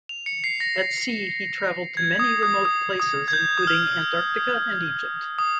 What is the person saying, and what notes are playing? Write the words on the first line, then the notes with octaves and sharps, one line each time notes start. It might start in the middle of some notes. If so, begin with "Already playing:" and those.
At sea he traveled to many remote places, including Antarctica and Egypt.
F7
C#7
C7
A#6
G#6
D#6
D#6
D#6
D#6
G#6
G6
D#6
F6
D#6